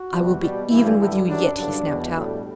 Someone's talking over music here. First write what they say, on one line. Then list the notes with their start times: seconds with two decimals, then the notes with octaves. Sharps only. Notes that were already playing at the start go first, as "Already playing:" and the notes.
'I will be even with you yet,' he snapped out.
Already playing: F#4
0.11 E2 C3 G3
0.41 B2 G3
0.69 G2 E3 G3 E4
0.98 G2 D3 G3 E4
1.28 F#2 F#3 D4
1.56 G2 D3 F#3 D4
1.86 E2 B2 G3
2.15 A2 G3